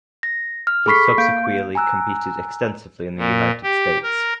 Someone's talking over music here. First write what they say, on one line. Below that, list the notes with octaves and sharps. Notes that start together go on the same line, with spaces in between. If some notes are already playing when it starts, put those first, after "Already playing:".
He subsequeerly competed extensively in the United States.
A#6
F6
G#4 A4 B5 C#6 B6 C7
A#3 F5 G6 D7
G#5 A#5 E6 F#6
A#2
G4
A#4